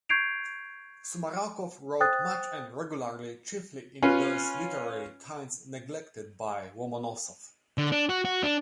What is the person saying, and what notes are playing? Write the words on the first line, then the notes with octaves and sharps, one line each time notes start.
Sumarokov wrote much and regularly, chiefly in those literary kinds neglected by Lomonosov.
C#6 G6 G#6 C7 D7 F7
C5 G5 D#6 F#6 A6
C#4 F4 B4
D3
D4
F#4
F#4
D4